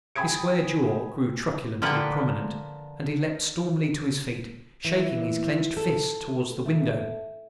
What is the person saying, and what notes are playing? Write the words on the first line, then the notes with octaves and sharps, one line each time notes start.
His square jaw grew truculently prominent, and he leapt stormily to his feet, shaking his clenched fists towards the window.
G5 G#5 B5 D#6 G#6 D7
D3 F3 A#3 B4 F#5 G5
E3
A4
A3